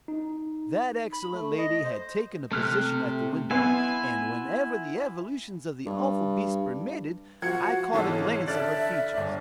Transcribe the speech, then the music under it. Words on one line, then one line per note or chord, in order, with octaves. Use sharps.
That excellent lady had taken a position at the window, and, whenever the evolutions of the awful beast permitted, I caught a glance of her features.
D#4
B5
A3
D#5
C5
C3 A3 F6 F#6
B3 E4 F5 G#5 C6
G2
F3 F4 F#4 F#5 G#6 C#7
B1 G#2 E3 D#4 A4 C#5
D3 D5 E5 A5 F6 F#6 A6
G1 D5